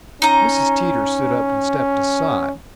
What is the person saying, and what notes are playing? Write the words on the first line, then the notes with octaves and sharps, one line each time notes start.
Mrs. Teeter stood up and stepped aside.
C#4 D#4 A#5